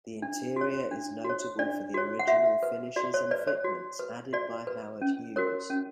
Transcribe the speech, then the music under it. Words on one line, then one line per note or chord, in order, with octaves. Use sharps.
The interior is notable for the original finishes and fitments added by Howard Hughes.
D4
F#4 C#5
D4
F#4
C#5
D4 D5
F#4 C#5
F#5
F#4 E5
B4
F#4 D5
C#5
B4 D5
C#5
F#4
B4
F#4 D5
B4
C#4
F#4 A#4 C#5
C#4